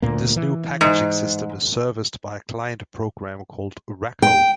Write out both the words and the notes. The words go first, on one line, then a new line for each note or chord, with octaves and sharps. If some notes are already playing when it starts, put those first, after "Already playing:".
This new packaging system is serviced by a client program called raco.
D2 A#2 A#3
E3
G#2
G5